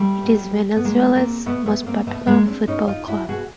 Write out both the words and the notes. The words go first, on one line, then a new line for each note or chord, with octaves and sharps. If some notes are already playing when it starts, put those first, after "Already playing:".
It is Venezuela's most popular football club.
Already playing: G3 A3
B2
B3
B2 G#3 A#3
A#3 C4
B2 A3 B3
A3 B3
A#3 C4
B2 A3 B3
G#3 A#3
C4 D4
B2 C#4 D#4
D#4 F4
E4 F#4
B2 F#4 G#4